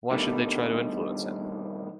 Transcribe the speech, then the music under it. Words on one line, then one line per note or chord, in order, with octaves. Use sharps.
Why should they try to influence him?
G2 B2 D#3 G3 A3